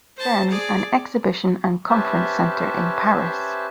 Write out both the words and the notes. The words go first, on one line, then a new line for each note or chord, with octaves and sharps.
Then an exhibition and conference centre in Paris.
C5 A5
G#4 D5
C#4 G4 B4 C5 E5 A5